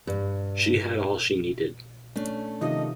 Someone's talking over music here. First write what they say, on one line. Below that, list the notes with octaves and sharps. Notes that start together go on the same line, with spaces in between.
She had all she needed.
G2
A3 C#4 D4
C3 D#3 F3 D#4 D#5